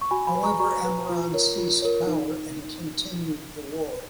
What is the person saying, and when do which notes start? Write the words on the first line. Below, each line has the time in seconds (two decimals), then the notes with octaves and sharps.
However, Ammoron seized power and continued the war.
0.01 C#6
0.11 F#4 G#5 B5
0.27 G#5 B5
0.35 B4
0.43 A#5 C#6
0.60 F#4 A#5 C#6
0.85 B4
1.09 F4
1.33 A#4 C#5
1.58 F4
1.82 A#4 C#5
2.07 D#4